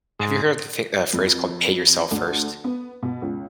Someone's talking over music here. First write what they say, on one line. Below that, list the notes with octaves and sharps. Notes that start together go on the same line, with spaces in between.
have you heard of the thi of the phrase called pay yourself first?
G#2
F2
D2
B3
B2
C#2